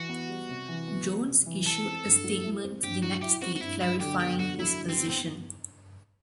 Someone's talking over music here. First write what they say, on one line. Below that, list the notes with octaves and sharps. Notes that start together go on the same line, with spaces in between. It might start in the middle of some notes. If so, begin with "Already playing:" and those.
Jones issued a statement the next day clarifying his position.
Already playing: E3 F#4
B3
G3
C3
E3
B3
G3
C3
E3
E4 A4
C4
G2
F#3
E4
C4
G2 G4
F#3 F#4
E4 G4
C4 F#4
F#4
G2 E4
F#3 E4
D3 G4
B3 G4
D3 F#4
F#3 E4
D3
C4
B3
C4